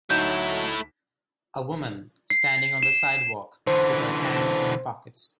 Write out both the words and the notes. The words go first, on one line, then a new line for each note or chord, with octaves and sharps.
A woman standing on the sidewalk with her hands in her pockets.
D2 F#3 A3 D#4 E4 G6 E7
C7
E7
D3 E3 C5